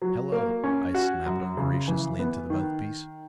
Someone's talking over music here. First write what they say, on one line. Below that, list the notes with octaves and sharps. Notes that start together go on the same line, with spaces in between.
"Hello!" I snapped ungraciously into the mouthpiece.
F#3
A#3
C#4
F#4
F#2
C#3
E3
B3
D#3